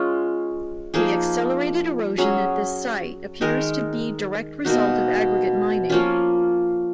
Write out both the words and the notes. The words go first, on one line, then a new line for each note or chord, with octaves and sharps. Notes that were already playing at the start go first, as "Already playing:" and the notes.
The accelerated erosion at this site appears to be direct result of aggregate mining.
Already playing: G#3 C#4 F4
F3 A#3 D#4 G#4
F#3 C#4 G#4
D#3 G#3 D#4 A#4
B2 A#3 D#4 F#4
F3 A#3 C#4 F4